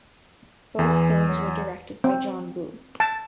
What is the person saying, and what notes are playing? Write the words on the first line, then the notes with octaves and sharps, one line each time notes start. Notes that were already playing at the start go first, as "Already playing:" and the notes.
Both films were directed by John Woo.
E2 E3
F#3
C4
A5